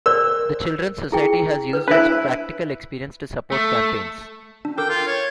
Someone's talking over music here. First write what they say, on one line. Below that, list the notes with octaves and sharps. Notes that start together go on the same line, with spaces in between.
The Children's Society has used its practical experience to support campaigns.
A#4 C5 D5 E6
E4 G#4 G5
B4
D4 E4 B4 C5
A3
D4
A4 A#4 G5 D6
F4
C#5